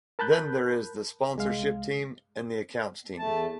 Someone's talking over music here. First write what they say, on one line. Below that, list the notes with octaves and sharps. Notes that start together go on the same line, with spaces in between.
Then there is the sponsorship team, and the accounts team.
A#4 A5 B5 F#6 G6
C2 G#3 F5
E2 A3 A5